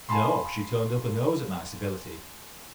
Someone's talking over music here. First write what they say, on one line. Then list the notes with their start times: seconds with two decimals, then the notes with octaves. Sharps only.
No, she turned up her nose at my civility.
0.09 F5 G#5 A5 B5 C6